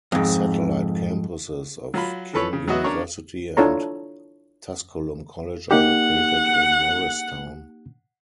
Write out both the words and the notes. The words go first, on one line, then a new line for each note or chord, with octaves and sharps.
Satellite campuses of King University and Tusculum College are located in Morristown.
F2 G#2
F#3 F4 B5
E3 F3 A4 B4 C#5
C#3
F#3 B3 F#4 D#5 E5
C#4 D4 A#4 C#5
D4 E4 F4 A4 C#5 A#5
A#3 D#4 G4 F#5